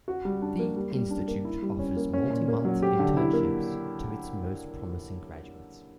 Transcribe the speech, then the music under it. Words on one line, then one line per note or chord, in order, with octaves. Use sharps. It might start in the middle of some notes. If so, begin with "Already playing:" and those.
The institute offers multi-month internships to its most promising graduates.
F#4
G3
D4
A#3
G3
G3
D4
A#3
E4
G3
C#4
A#3
C#4
A#2
A#3
F#3
G4
D3
E4
A#3